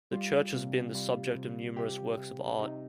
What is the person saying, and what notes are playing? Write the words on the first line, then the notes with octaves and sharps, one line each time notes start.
The church has been the subject of numerous works of art.
G3 F4
C3
G3 F4
C3
C3 G4
C3
C3 D#4